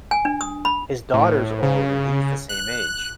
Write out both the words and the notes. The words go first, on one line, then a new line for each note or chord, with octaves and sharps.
his daughter's old and he's the same age.
G#5
D4
D#6
B5
A2
C#3
F#6